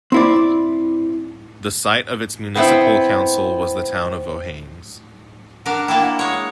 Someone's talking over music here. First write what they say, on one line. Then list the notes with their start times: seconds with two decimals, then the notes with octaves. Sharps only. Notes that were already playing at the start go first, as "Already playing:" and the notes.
The site of its municipal council was the town of Vojens.
0.12 C4 E4 D5
2.55 B3 C4 E4
5.66 D4 A#4 F#5
5.88 A#3 D4 E4 G5
6.02 F#5
6.19 G#3 C#5